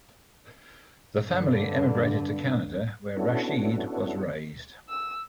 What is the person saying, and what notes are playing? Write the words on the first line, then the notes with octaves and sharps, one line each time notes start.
The family emigrated to Canada where Rashid was raised.
G2 D3
B3 C#4 D4 E4 F#4 A4
E6